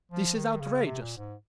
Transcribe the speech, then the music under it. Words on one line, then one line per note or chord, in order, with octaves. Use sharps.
This is outrageous!
F3
D#3
C#3
C3
A#2
G#2